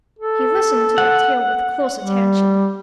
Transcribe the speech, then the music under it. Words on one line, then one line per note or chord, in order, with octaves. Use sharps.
He listened to their tale with close attention.
A4
F#5
G3